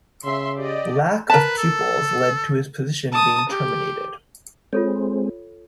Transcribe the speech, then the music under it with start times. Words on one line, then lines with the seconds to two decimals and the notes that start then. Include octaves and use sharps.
Lack of pupils led to his position being terminated.
0.24 C#3 E5 C6
0.58 G4 D5 D#5
1.30 A#4 B4 A5
1.57 A4
3.12 A5 D#6
3.49 G4
4.73 G#3 C4 F4 A4 C#5